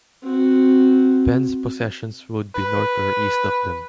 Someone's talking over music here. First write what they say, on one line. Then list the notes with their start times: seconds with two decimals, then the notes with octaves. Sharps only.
Penn's possessions would be north or east of them.
0.23 C4 F#4
2.55 B4